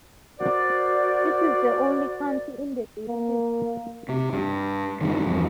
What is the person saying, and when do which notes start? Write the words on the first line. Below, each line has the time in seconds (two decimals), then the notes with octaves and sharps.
It is the only county in the district.
0.40 F#4 A#4 C5 D5
3.08 A#3
4.09 C3
4.33 G2
5.01 F#1 G2 D#3
5.27 E2 G2 F3